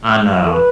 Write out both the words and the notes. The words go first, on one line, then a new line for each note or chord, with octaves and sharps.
I know.
A4
B4